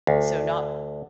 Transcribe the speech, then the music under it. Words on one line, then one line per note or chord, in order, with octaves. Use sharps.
So, not
D2